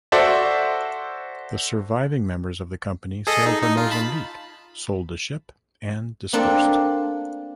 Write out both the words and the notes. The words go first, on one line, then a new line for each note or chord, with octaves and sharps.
The surviving members of the company sailed for Mozambique, sold the ship and dispersed.
F#4 A4 C5 D5 E5
G#4 A4 D#5
D#4
D#4
F4
A5 B5
A#3 C4 D4 A4 A5